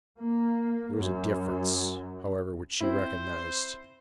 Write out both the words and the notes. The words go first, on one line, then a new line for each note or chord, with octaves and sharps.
There was a difference, however, which she recognised.
A#3
F#2
C4 E4 C5